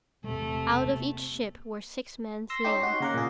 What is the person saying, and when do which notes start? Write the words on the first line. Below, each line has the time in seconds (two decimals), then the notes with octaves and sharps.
Out of each ship were six men slain.
0.24 E1 C3 G#3 A3
0.86 A#3 C4
2.50 C6 E6 A#6
2.64 C#4 D#4 G4
2.82 D#4 F#4
3.00 C#3 A#3 A#4 F#5
3.14 A#2 G#4